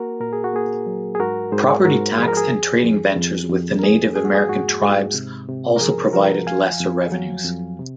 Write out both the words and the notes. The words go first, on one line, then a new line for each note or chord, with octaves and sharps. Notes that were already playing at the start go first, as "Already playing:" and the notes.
Property tax and trading ventures with the Native American tribes also provided lesser revenues.
Already playing: A#3 F#4 A#4
A#2 A#4
G#4
F#4
A#3 G#4
F#3
G#4
G#2 F#4 A#4
G#2 G#4 C5
G#2 F#4 A#4
F3 G#4
A#4
G#4
F2
F2
F2
F2
A#4
A#3 G#4
G#2 G#4
F#4
G#4
G#2 F#4
G#2
C3
C3
A#4
F3 G#4
F3 F#4 A#4
F2 F5 G#5
F2
F#3
F2
C3